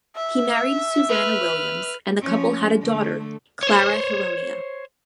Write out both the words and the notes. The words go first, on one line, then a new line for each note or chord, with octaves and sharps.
He married Susannah Williams, and the couple had a daughter, Clara Heronia.
E5
B4 F6
F3 C#4
D3 A3
C5 C#5